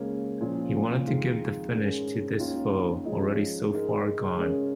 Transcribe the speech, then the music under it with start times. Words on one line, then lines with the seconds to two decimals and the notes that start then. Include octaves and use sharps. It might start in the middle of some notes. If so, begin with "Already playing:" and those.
He wanted to give the finish to this foe already so far gone.
Already playing: C#2 C#3 A#3 C#4
0.41 A#2 F3 C#4
1.07 F2 D#3 G#3 F4
1.72 G#2 G#3 C#4 A#4
2.39 D#2 D#3 G#3 C#4 F4
3.05 G#2 F3 C#4 G#4 D#5
3.71 G#2 G#3 D#4 A#4
4.37 C#3 G#3 C#4 A#4 C#5